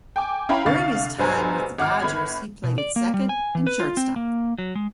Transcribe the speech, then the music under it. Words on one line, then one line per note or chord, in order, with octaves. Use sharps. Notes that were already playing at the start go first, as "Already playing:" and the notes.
During his time with the Dodgers, he played at second and shortstop.
G5 G#5 D6
C#4 E4 F5 G5 A#5 B5
C2 D3 F5 C#6 A6
B1 G2 B4 C5 G#5 A#5
G#1 F#5 D6 F6
G1 B5 G#6
B2
D5
A#3
G3
G#5
E3
B4
F4
C4
A#3
F#3
G#3